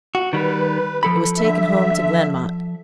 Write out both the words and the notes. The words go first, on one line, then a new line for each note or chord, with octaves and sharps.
It was taken home to Glenmont.
F#4
D#3 G3 B4
F3 A4 B5
D3 E5